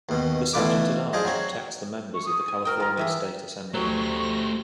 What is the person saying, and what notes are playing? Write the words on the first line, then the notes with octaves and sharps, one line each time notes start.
The Sergeant-at-Arms protects the members of the California State Assembly.
D#2 B2 D#3
B2 E3 A3 F4 B4 D6
D4 F4 G#4 C5 D#5
F#3 C4 C#5
C#6
D#6
G#5
F#4 A#4 G5
F4 A#4 A#5
E3 G4 G#4 E5
D2 F#3 A3 G4 C5 C#6 A#6